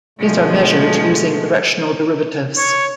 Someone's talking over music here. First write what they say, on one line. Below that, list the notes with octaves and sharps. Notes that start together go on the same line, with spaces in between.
These are measured using directional derivatives.
B2 D3 F3 G#3 A3
C#5